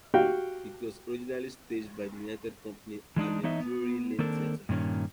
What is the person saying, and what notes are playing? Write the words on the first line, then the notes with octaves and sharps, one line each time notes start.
It was originally staged by the United Company at the Drury Lane Theatre.
F#4 G4 F5 G5
E3 G#3 D4 D#4
E3 B3 D#4 C#5 D#5 E5
B3
D#3 A#3 C4 D4 A4 A#4
G2 A#2 D#3 C#4